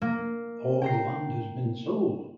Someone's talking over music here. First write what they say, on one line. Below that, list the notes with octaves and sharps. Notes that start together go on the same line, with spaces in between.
All the land has been sold.
A#3
G5 A#5 C7